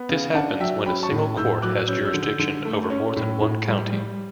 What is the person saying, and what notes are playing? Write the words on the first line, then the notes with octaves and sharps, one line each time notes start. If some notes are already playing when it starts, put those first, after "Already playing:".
This happens when a single court has jurisdiction over more than one county.
Already playing: B3
C#3
D4 F#5 A5
F#3 E5 G5
C#4 G5 B5
A5 C#6
A2
A2 E6 G6
F#3 D6 F#6
F#6
C#4 E6 G6
E6 G6
D3
E6 G6
D3
A3
C#4
A2
A2
G3
G3